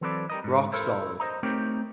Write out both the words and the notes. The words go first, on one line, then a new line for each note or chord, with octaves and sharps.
Rock solid.
E3 F#3 C4 A4 B4 D5
G3 A#4 D#5
G#2 D3
E4 A4 A#4 C5
C5 D#5 A#5
A3 C4 D#4 G4 A#4 C#5